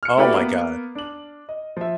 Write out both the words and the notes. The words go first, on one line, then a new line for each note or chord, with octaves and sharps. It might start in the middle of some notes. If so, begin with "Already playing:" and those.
Oh my god.
F6 C#7
A3 E4 F#4 G4 B4 D5
A#3 B3
D4 F#7
D#5
F3 E5